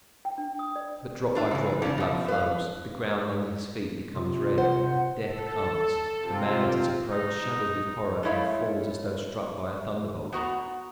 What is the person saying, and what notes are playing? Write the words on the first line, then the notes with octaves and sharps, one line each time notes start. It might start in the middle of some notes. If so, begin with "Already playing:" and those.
But drop by drop the blood flows, the ground under his feet becomes red; death comes; the man, at his approach, shudders with horror and falls as though struck by a thunderbolt.
G5
D4
D#6
D5
D4 F4 E5
C#3 E3
C#3 A3 C#4 D#4 E4 D5
B2 F3
B4 F5
C3 F4
C5 F#5
A4
C3 C4 F4
D#4
G#3 A3 E4 C#5 F5
B3 F#4 A#5